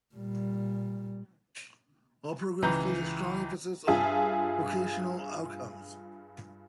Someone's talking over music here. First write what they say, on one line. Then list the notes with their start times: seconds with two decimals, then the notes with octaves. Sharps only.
All programs place a strong emphasis on vocational outcomes.
0.15 A#2 G3
2.62 C#2 E3 B4 A#5 G6
3.87 G2 F4 G#4 E5 G#5 A5